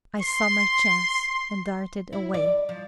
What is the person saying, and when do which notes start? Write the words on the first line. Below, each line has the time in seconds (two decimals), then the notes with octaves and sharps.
I saw my chance, and darted away.
0.21 C6
2.13 E4
2.34 D5
2.69 F3